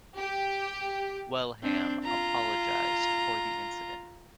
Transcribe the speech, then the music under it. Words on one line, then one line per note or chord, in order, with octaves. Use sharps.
Wellham apologised for the incident.
G4
C4 D4
F4 A#5